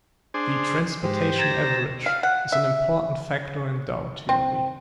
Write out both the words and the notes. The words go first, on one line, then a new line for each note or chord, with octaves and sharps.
The Transportation Average is an important factor in Dow theory.
D4 G#4 C5
G#2 G4 C5
A#5 G#6 A6 E7
F5
F#5
E5
C4